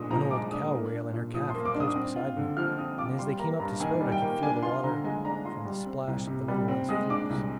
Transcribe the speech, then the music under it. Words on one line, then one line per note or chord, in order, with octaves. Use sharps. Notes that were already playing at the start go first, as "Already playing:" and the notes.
One old cow whale and her calf were close beside me, and as they came up to spout I could feel the water from the splash of the little one's flukes.
Already playing: A#2 G#3 D4 D#6
F3 A#5
G#3 D6
D4 D#6
A#3
D4
A#2
F3 D#6
C6
A#3
D6
D4
D#6
C4
F4
D3
F3 F6
C4 D#6
F4 D6
G3 C6
A#3 A#5
G2 A#5
D#3 G#5
G3
G5
A#3
D4 G#5
F4 C6
D3 A#5
G#3 G#5
D4 A#5
F4 C6
G3
C4
C2
C3
G3
C4
G#3 D#6
D4 D6
C2